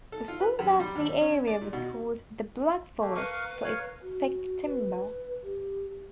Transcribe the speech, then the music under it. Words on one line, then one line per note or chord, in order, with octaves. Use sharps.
Before that the area was called the "Black Forest" for its thick timber.
A4
F4
B4
F#2
G3
D#2
C#4
D5
A#2
B2
A3 A#3
A#4 B4 F5 C#6
A#4 C#5 F5
F#4
B4
B4
G4